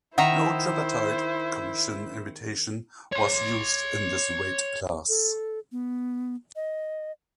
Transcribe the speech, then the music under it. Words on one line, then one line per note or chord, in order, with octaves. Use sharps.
No Tripartite Commission invitation was used in this weight class.
D#3 E4 C5 E5 F#5 A#5
C#5 C6
A4
B3
D#5